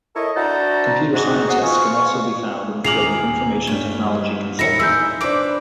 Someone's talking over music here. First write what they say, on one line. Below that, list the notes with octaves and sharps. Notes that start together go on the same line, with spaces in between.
Computer scientists can also be found in the field of information technology consulting.
E4 A4 A#4 C#5 D#5
D4 E4 F#4 C5 A5 A#5
G#2 F#4
F#4 G#4 D#5 F#5
F4 C5 G#5 C#6
D#1 G#4 A#5 D6 F6 C7 F7 F#7
G2 G3 C#5
D#4 A#4 E5 B5 A#6 C#7
E4 G#4 C5 E6 G6
D4 B4 C5 D6 D7